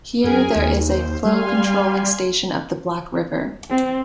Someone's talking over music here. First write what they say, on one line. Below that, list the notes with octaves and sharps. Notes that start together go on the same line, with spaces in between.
Here there is a flow controlling station of the Black river.
F#2 G#4 A#4 G#5
D#2
C5
G3 F5 G#5 C6
C4